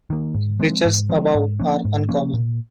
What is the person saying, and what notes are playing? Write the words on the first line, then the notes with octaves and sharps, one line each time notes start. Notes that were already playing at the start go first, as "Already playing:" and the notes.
Temperatures above are uncommon.
D#3 A#3
G#2
F3 G#3 C4
G#2
F3 G#3 C4
G#2
F3 A#3 C#4
G#2
F3 A#3 C#4
A#2